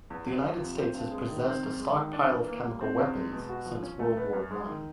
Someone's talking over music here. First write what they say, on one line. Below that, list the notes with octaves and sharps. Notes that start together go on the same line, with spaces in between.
The United States has possessed a stockpile of chemical weapons since World War One.
E2
E2
F3
C3
C4
G2
G#3
D#3
C4
F#2
G#3
D#3
D4
E3
A#3
G3
C4
E2
G#3
B2
F#4
F3
C#4
A3
B3
F#2
G#3
D#3